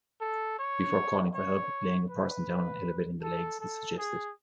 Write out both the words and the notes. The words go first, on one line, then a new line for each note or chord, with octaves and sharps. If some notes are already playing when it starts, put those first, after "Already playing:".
Before calling for help, laying a person down and elevating the legs is suggested.
A4
C#5
C#5
B4
A4
A4
G#4